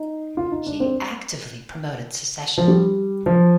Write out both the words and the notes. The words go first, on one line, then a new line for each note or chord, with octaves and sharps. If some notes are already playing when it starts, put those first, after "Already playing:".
He actively promoted secession.
Already playing: D#4
F4
D#4
D4
C4
F3
G3
F3